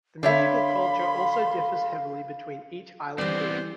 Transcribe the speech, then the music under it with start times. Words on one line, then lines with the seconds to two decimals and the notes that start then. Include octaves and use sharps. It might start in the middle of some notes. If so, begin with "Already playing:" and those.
The musical culture also differs heavily between each island group.
0.23 D3 C#5 E5 F5 B5 C6
3.18 E3 G3 B3 C4 C5 D5